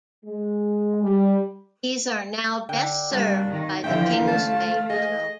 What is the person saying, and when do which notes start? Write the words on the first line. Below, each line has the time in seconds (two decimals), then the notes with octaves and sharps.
These are now best served by the Kingsway tunnel.
0.25 G#3
1.02 G3
2.69 D3 G5
3.11 C3 G3 A#3 D4 C#5
3.49 D#3
3.84 D3 E3 F3 G4 E5 F5 G5
4.28 A3 C#4 C5 A5
4.90 G#4 D#5